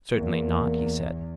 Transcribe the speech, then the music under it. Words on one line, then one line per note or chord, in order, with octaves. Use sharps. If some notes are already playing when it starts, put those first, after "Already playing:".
Certainly not, he said.
E2 A#3